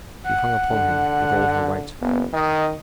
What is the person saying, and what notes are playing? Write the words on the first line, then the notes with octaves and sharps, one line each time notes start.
She hung upon him with all her weight.
F#5
D3
F#1 B3
D#3 D#5